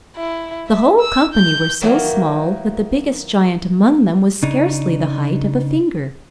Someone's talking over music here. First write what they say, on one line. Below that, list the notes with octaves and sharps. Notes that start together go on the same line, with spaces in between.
The whole company were so small, that the biggest giant among them was scarcely the height of a finger.
E4
E5
E6
G6
D#3 E3 F#3 A#3 D#4 E4
C#3 D4 D#4